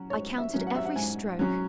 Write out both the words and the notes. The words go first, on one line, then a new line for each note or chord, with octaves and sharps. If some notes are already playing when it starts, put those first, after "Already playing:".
I counted every stroke.
Already playing: F#3 C#4 F#4
G#2 C#5
E5
F#3 C#4
F#5
E5
F#5
G#2 G#5
F#3 C#4